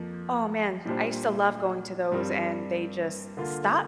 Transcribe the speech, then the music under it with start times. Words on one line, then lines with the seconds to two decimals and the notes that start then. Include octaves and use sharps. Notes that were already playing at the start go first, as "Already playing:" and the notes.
oh, man, I used to love going to those and they just stopped
Already playing: F2 F3 A#3
0.86 A#2 G3 D4 G4 C5
2.11 G2 G3 C4 A#4
3.37 D3 A#3 F4